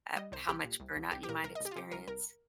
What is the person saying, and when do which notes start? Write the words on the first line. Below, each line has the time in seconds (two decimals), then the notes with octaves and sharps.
uh, how much burnout you might experience?
0.16 G3 D#5
0.32 C2 C5
0.48 C2 G4
0.64 A#2
0.80 C2
0.96 C2
1.12 C2 G4
1.23 G4
1.28 A#2 A#4
1.44 C2 A#4
1.55 D#5
1.60 C2
1.65 G4
1.71 F4
1.76 C2 G4
1.92 C2 A#4
2.07 C2 A#4